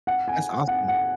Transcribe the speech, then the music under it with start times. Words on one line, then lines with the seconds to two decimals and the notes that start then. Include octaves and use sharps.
That's awesome.
0.07 F#5
0.28 G#5
0.68 F#5
0.88 F#5